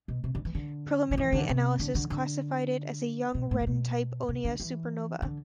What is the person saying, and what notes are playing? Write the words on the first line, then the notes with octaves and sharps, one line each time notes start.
Preliminary analysis classified it as "a young, reddened type onea supernova".
B2
C3
D3
E3
D3
D3
E3
D3
C3
D3
D3
D3
B2
A2
C3
B2
C3
D3
E3
D3